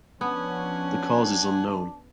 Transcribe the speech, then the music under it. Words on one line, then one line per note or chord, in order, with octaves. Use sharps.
The cause is unknown.
F3 B3 C#4 D4 F#5 G#5